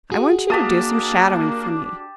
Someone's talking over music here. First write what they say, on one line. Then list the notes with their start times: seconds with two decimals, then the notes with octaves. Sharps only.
"I want you to do some shadowing for me."
0.12 F#4 G#4
0.50 A#3 D4 G4 A5 D#6